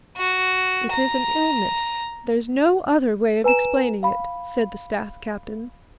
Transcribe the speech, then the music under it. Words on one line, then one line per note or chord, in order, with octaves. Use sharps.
"It is an illness, there's no other way of explaining it," said the staff captain.
F#4
A#5
B4 G#5 A#5 E7
F5 B5